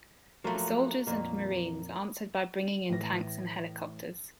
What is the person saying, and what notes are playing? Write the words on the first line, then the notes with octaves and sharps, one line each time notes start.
The Soldiers and Marines answered by bringing in tanks and helicopters.
F3 F#3 A3 A#3 F#4
F2 A#2 A#3
A2 E3 A#6